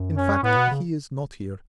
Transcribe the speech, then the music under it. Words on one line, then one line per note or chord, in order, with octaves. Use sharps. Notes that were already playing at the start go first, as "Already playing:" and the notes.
"In fact, he is not here...."
Already playing: F#2
C#4
A2 B3
B2
C#3